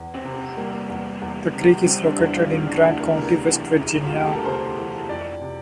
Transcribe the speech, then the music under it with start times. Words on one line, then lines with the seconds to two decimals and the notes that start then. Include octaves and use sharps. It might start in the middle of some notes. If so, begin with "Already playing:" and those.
The creek is located in Grant County, West Virginia.
Already playing: E2
0.14 C4
0.25 C3
0.35 C4
0.57 G3 A#3
0.89 E2
1.22 E2
1.54 C3
1.86 G3 C4
2.02 D4
2.19 E2 E4
2.35 F4
2.51 E1 F4
2.67 D4
2.83 D2 E4
2.99 A#4
3.15 C3 A#4
3.48 E3
3.80 E1
4.06 F4
4.13 D2 G4
4.26 A4
4.35 A#4
4.45 C3 C5
4.77 E3
5.09 F2 D5
5.41 C3